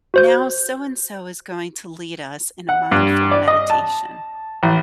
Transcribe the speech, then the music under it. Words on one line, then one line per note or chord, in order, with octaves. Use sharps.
Now so-and-so is going to lead us in a mindful meditation."
F#4 C5 G6
F#5
G2
D5
D#5
A5
A1